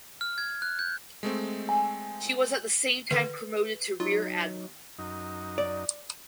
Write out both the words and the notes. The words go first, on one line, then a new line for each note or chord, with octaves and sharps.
She was at the same time promoted to rear admiral.
F6
G#6
F#6
G6
G#3 A3 C4
G#5
D3 D#3 B4
F#3 D#4 F4
F#2 D#4
D5